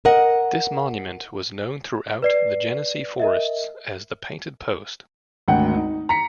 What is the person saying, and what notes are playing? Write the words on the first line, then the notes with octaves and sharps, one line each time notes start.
This monument was known throughout the Genesee Forests as 'The Painted Post.
A#4 D#5 F#5
B4 D5 C7
A#4 D#5 E5
G#1 D2 F#5 G5
D#4
A#5 B6 C#7